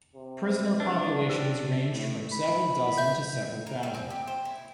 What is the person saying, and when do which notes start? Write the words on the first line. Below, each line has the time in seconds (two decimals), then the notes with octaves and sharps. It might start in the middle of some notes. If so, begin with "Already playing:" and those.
Prisoner populations ranged from several dozen to several thousand.
0.15 C3
0.46 B4 C5
0.80 D4 B4 C#5
1.27 G4 C5 E6
1.91 A2
2.32 B5
2.98 E5 G6
3.67 A#4
3.83 G3
3.94 C4
4.10 G4
4.27 C5
4.45 E4